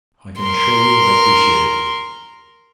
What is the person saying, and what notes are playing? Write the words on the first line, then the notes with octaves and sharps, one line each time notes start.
I can assure you I appreciate it.
A#4 C6